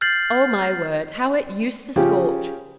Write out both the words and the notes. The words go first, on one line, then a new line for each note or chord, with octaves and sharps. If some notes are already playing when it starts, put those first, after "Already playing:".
Oh, my word, how it used to scorch!
F6 G6 A6 C7 F#7
C#3 F3 G4